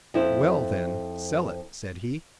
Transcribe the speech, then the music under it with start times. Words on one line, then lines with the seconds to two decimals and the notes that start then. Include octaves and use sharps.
"Well then, sell it," said he.
0.14 F2 E4 C5